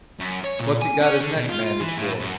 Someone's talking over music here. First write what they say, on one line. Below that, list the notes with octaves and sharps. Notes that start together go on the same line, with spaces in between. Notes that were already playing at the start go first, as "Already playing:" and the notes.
What's he got his neck bandaged for?
F#2
C#5
A#2
G#5
C#4
D3
B2
F4
F4
E3
A2
F#2